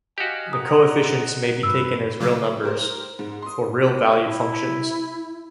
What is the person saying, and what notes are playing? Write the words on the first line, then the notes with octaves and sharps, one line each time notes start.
The coefficients may be taken as real numbers, for real-valued functions.
F#4 G4 D#5 F5 G#5
D#4 F#5 A#5 D#6
G2 B4 E6
C#3 F#3 A#3
G4 A#4 C5
G#2
C6 D#6
E4